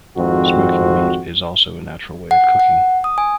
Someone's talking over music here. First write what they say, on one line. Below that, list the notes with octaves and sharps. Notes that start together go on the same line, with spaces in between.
Smoking meat is also a natural way of cooking.
G#1 F2 C4 F#4
F#5
F#5
D#6
G#5